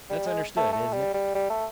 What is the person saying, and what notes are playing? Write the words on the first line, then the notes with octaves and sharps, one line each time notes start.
"That's understood, isn't it?"
G3
G#3
A3
A3
G3
G3
G3
A3